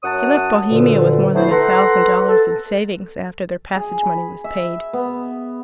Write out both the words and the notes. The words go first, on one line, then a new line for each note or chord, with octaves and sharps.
He left Bohemia with more than a thousand dollars in savings, after their passage money was paid.
F#2 C#5 F#5 A5 D#6
D2 G2 A#2 D3
A3 B3 E4 C5
A4 B4 F#5 A#5 C6
A4
G#4
B5
E5
B3